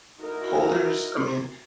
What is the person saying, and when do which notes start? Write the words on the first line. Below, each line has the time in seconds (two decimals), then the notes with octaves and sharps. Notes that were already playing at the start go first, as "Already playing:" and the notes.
holders? I mean
0.19 D#4 E4 F#4 A#4